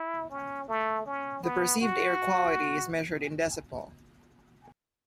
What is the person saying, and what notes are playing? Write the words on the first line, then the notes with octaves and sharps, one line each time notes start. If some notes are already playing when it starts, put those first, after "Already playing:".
The perceived air quality is measured in decipol.
Already playing: E4
C#4
A3
C#4
B3
F#4